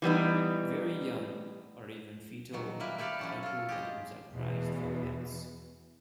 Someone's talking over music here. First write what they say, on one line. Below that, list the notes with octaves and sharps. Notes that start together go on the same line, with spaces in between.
Very young or even fetal Karakul lambs are prized for pelts.
E3 G3 B3 D#4
A#2 D#3 F#3
G3 A#3 E4 B4
E4 G4 A4 D5 F5
F#3 C#4 A5
F4 A4
G4 G#4 D#5
E2 B2 E3